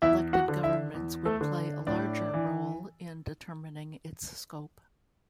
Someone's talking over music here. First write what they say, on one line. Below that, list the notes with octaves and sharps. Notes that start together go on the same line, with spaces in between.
Elected governments would play a larger role in determining its scope.
E2 E4 E5
F#4 F#5
D3
E4 E5
E2
A3 A4
D3
A2 D4 D5
E3